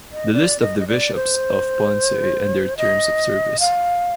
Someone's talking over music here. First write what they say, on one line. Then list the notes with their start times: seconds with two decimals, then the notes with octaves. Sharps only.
The list of the bishops of Ponce and their terms of service.
0.12 D#5
0.33 D5
0.61 D#5
0.80 D#5
0.88 D5
1.15 C5
2.77 D#5
3.60 F5